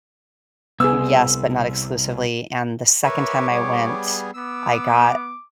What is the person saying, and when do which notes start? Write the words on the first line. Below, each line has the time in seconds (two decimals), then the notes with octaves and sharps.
yes, but not exclusively, and the second time I went, I got
0.80 C2 B3 G#4 E6
3.04 A#4 B4 C#5 E5 D6
3.51 G3 B3 G#4
4.34 B3 D6 E6